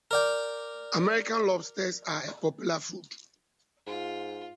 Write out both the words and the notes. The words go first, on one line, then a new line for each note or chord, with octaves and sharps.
American lobsters are a popular food.
A#4 D5 G5
G#2 F4